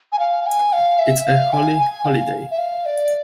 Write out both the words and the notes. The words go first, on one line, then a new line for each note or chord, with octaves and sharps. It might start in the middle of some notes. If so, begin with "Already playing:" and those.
It's a Holi-Holiday.
G#5
F5
G#5
F5
E5
F5
G#5
G#5
F5
E5
F5
D5